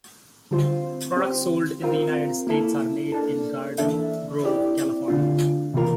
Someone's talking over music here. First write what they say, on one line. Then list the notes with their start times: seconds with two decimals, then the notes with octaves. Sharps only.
Products sold in the United States are made in Garden Grove, California.
0.51 D3 G3 C4 F4 C5
1.17 C4 G4 C5
1.82 C4 F4 A#4
2.47 A#3 E4 A4
3.12 A#3 D4 A4
3.78 E3 A#3 D4 A4 E5
4.43 C4 E4 G4 D5
5.08 D3 A3 D4 F4
5.74 C3 E3 A#3 F4 A#4